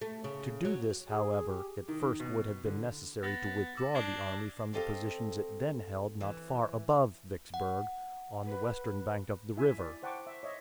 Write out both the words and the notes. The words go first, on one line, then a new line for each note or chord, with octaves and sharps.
To do this, however, it first would have been necessary to withdraw the army from the positions it then held not far above Vicksburg, on the western bank of the river.
A3
C#3
F#3
G#4
G4
D#3
B2
D3
B3 A6 A#6
D6 E6
D4 G#6 A#6 C7
C4 G4 A4 D#5 F5
E3
F#5
B4
E4 E5 G#5
D5
C5 F#5 G5 A5 C#6 D6
E5
C#5 D#5 E5